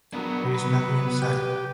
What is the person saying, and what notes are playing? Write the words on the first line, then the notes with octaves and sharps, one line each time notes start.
There is nothing inside.
F#3 B3 D4 A#4
B4
G4